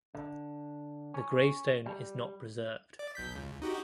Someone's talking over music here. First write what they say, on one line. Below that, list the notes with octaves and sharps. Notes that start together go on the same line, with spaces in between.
The gravestone is not preserved.
D3
C#4
G3
D5
B1 G6 B6
C#2
D#4 F#4 G4